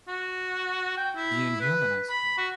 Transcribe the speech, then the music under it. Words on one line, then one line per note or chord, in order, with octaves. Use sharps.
being human, I suppose.
F#4
G5
E4
B4
B5
F#4